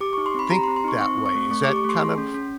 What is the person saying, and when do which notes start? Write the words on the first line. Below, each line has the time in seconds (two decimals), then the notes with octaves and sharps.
think that way." Is that kind of
0.01 G4 D6
0.13 D#4 C#6
0.26 C6
0.35 C4 B5
0.50 G4 A#5
0.63 C6
0.68 C4
0.76 C6
0.84 D#4 C#6
1.01 C4 C#6
1.18 C4
1.26 C#6
1.35 A3
1.51 A3 C#6
1.63 G4 D6
1.76 C#6
1.85 A3 C6
2.01 G#4
2.18 C#4
2.34 C#4